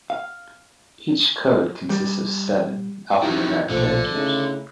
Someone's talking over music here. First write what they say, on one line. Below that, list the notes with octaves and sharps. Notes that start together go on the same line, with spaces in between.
Each code consists of seven alphanumeric characters.
F5
G3
D#3 E3 E4 F#4 G4 E5
B1 A#2 D3 F3 A3
C#3 A3 D#4 E4